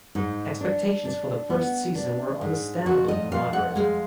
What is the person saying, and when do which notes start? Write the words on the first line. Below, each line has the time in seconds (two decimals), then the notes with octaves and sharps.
Expectations for the first season were understandably moderate.
0.15 G#2 D#4
0.61 D4
1.05 D4
1.50 B3
1.95 D4
2.41 G#2
2.86 F2 F#4
3.08 D#5
3.32 F2 F5
3.53 F#5
3.76 G#3 F5